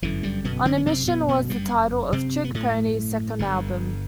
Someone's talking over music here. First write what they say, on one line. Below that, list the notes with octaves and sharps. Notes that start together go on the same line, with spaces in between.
"On a Mission" was the title of Trick Pony's second album.
G1 F#2 D3 E3
G2 G3
B2 B3
D3 D4
B3
C3 C4
B2 B3
B2 B3
G2 G3
C3 C4
B3
A2 A3
G1 G2 D3